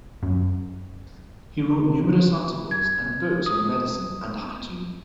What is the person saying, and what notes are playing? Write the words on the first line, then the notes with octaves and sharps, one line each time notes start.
He wrote numerous articles and books on medicine and hygiene.
F#2
G#6
D#6